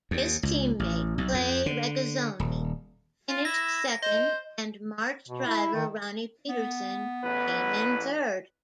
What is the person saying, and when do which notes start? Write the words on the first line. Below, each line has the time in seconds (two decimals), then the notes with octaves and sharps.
His teammate Clay Regazzoni finished second and March driver Ronnie Peterson came in third.
0.11 D#2
0.43 C#2
0.80 A1
1.18 B1
1.34 F2
1.66 D3
2.40 D#1
3.29 F4
3.45 E4 A#6
4.03 C5 D#5
5.28 B2
5.46 E4
5.74 D#3
6.49 B3
7.24 A1 E2 B4